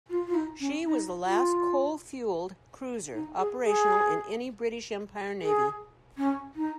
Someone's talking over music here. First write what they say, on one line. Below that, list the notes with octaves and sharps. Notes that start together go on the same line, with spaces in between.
She was the last coal-fuelled cruiser operational in any British Empire navy.
F4
F4
D#4
C#4
D#4
F4
D#4
G#4
G#4
G#4
C#4
D#4